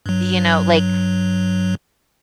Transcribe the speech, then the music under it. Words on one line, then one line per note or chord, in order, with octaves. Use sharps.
you know like,
G2 F#3